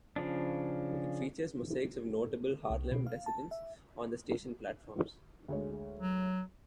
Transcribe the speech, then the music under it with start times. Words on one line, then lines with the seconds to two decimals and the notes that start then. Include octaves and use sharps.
It features mosaics of notable Harlem residents on the station platforms.
0.16 C#3 F3 D4
2.70 C2
2.91 B2
3.07 F5
3.26 A5
3.51 E5
5.48 D2 G#3 C#5
6.00 F#3